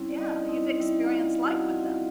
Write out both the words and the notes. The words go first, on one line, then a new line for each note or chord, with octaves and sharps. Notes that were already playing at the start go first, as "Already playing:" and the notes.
Yeah, you've experienced life with them.
Already playing: G3 C4 C#4 E4 C#5
D5
G3 D#4 D#5
C4 D#4 E4 D#5
G3 E4 E5
C4 E4 F4 F5
G3 F#4 F#5
C4 E4 F4 F5